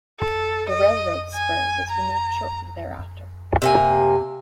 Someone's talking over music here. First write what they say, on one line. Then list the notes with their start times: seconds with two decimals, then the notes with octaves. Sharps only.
The railroad spur was removed shortly thereafter.
0.19 A4
0.69 D#5
1.34 G#5
1.90 A#5
3.62 C3 A#3 G#5